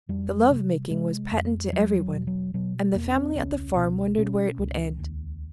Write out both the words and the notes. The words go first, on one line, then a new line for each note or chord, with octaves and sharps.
The love-making was patent to every one, and the family at the farm wondered where it would end.
F2 G3
C3
C3 G#3
F2
E2 F#3
F#3
B2
F#3
B2 F#3
E2 A#3
C#4
C4
C#2 C#4
B2
B2 C#4
C#2
D#2